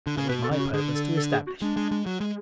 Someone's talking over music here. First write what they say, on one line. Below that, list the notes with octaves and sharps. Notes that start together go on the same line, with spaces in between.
It was my purpose to establish it.
D3
C#3
B2 B4
A4
C#3
F#4
D3 G#4
A4
A4
G#4
F#4
G#3 D4
G#3
G#3
F#3
G#3